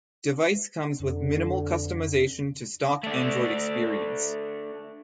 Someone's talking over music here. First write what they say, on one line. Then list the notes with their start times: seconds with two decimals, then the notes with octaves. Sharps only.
Device comes with minimal customization to stock Android experience.
1.00 F2 D3
3.03 A3 D4